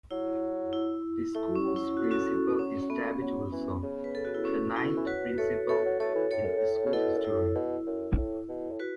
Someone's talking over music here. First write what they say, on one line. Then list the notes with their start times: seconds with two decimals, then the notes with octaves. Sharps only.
The school's principal is David Wilson, the ninth principal in school history.
0.11 F#3 E4
0.73 E4
1.35 A3 E4
1.55 C#4
1.66 F#3
1.76 E4
1.97 F#4
2.04 A4
2.11 C#4 F#4
2.58 F#3 C#4
2.82 F#3
2.90 A3 B3
3.21 F#3
3.52 E3
3.83 C#3
4.04 B4
4.15 A4
4.25 F#4
4.35 E4
4.45 C#4
4.76 E4
4.97 E3
5.07 F#3 F#4 B4
5.38 A3 A4 C#5
5.69 A3 A4 C#5
5.85 F#3
6.00 A3 A4 C#5
6.15 E3
6.31 A2 A4 C#5
6.44 F#2
6.57 A2
6.86 C#3
6.93 B2 E4 A4
7.17 F#2
7.24 A2 E4
7.55 B2
7.86 F#2
8.17 A2
8.48 B2
8.71 A2
8.80 F#4 B4